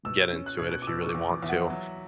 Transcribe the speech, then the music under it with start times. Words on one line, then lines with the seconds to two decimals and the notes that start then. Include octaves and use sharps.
get into it if you really want to.
0.05 B2 E6
0.32 C#4
0.46 F#6
0.59 B2 G#6
0.71 F#6
0.82 D6
0.87 B2 E6
1.02 C#6
1.09 D6
1.15 E2
1.29 D6
1.43 E2 E5
1.49 F#5
1.70 F#3